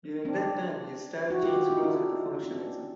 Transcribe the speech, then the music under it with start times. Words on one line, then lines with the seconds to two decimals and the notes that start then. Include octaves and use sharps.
During that time his style changed closer to functionalism.
0.25 C4 D4
1.30 E4 F#4
1.43 F4 G4
1.56 F4 G4
1.70 D#4 F4
1.83 D4 E4
2.35 D4
2.43 C#4
2.50 C4 D4